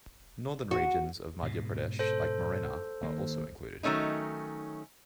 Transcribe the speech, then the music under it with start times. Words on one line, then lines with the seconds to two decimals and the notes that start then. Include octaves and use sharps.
Northern regions of Madhya Pradesh like Morena are also included.
0.71 F#4
1.43 G#2 B2
1.99 A4 C5
3.03 D#3 A#3
3.83 D#3 F#3 A3 C#4 D#4